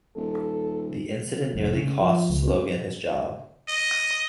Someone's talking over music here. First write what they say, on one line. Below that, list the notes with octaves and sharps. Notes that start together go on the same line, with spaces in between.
The incident nearly costs Logan his job.
D#1 A4
F1
C#3
F3
C#2
C#4
D#5